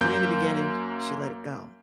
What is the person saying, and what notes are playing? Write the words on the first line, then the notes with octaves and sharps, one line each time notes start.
and in the beginning, sh she let it go,
F#2 A#3 G6